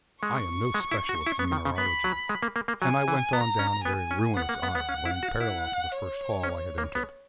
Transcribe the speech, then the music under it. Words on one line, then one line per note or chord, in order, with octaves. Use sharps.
I am no specialist in mineralogy, and I went on down a very ruinous aisle running parallel to the first hall I had entered.
G#3 C#6
G#3
E4
F#4
E4
B3
D#3
C#3
B3 B5
F#3
G#3
A#3
A#3
A#3
F#3 G#5
E3
B3 A#5
C#4
B3 G#5
C#4
B3 F#5
A#3
B3
B3
C#4
E4
F#4
E4 F#5
C#5
C#4
A#3
B3